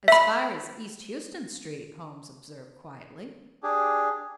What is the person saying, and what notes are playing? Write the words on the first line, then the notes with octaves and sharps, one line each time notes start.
"As far as East Houston Street," Holmes observed, quietly.
E5 B5
D4 G4 G#4